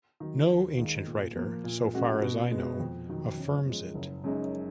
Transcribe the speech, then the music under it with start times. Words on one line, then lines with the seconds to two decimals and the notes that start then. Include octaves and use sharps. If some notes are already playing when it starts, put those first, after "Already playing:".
No ancient writer, so far as I know, affirms it.
0.20 D#3 F#3
0.48 D#2
0.78 D#3 G#3
1.07 A#2
1.36 F3 A#3
1.64 A#2
1.94 G#3 C#4 F#4
2.21 B2
2.51 G#3 B3
2.80 F2
3.09 D#3 F#3
3.37 F#2
3.66 F3 G#3
3.94 F#1
4.24 F#2 C#3 G#3 D#4